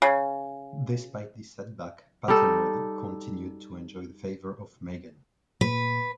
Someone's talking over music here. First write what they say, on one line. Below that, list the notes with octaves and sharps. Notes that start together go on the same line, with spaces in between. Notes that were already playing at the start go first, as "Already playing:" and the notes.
Despite this setback, Patenaude continued to enjoy the favour of Meighen.
C#3
G3 D#4 A4
A#2 B4